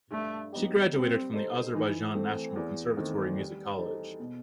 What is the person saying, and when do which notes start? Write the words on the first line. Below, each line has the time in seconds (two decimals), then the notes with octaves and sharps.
She graduated from Azerbaijan National Conservatory Music College.
0.11 G2 A3
0.53 F#3 B3 D#4 G4
0.93 G3 C4
1.33 D#4 A4 C5
1.74 E3 D#4
2.15 A3 C4
2.56 E2
2.97 D#3 A3 C4
3.37 G3
3.78 D#4 A4 C5
4.20 B2